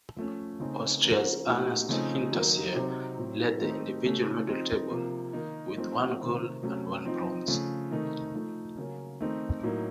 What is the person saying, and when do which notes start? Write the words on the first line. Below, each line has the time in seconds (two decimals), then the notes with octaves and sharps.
Austria's Ernst Hinterseer led the individual medal table, with one gold and one bronze.
0.16 F3 A3 C#4
0.60 C#3 A3 C4 D#4
1.03 F3 A#3 C#4
1.46 A#2 F3 A3 D#4
1.89 C#3 F3 A3 C4 D#4
2.32 D#3 F#3 A#3 D#4
2.74 C3 F#3 C4 D#4
3.18 A2 F#3 C4
3.61 D#3 A3 C4 D#4
4.04 C#3 A3 C#4
4.47 F3 C4 D#4
4.90 C3 F3 A#3
5.33 D#3 A#3 D#4
5.76 F3 A3 C4 D#4
6.19 C3 D#3 A3 C4
6.62 C3 F#3 A3 C#4
7.05 F3 C4 D#4
7.48 C#3 F3 A3
7.91 C3 D#3 A3 D#4
8.34 F3 A3 D#4
8.77 C#3 F#3 A#3 C#4
9.20 D#3 A3 C4 D#4
9.63 A2 F#3 A#3 D#4